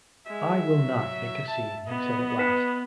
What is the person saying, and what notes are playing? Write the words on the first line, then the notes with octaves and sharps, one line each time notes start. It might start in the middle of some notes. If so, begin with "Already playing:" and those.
'I will not make a scene,' he said at last.
G#3 E5
F#3
E5 A5
B3 D#5
B4 B6